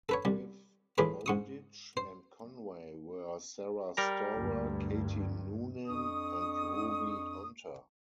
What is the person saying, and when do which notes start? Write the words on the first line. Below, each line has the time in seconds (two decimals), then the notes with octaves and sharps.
With Bowditch and Conway were Sara Storer, Katie Noonan and Ruby Hunter.
0.09 A4 B4 C#5
0.25 C2 G3
0.98 A2 E3 F3 G#4 B4 D6
1.26 G#2 C#6 D#6
1.97 C5
3.97 G3 A#4 A#5
4.35 D2 G2
5.87 F2 D4 C#6 D#6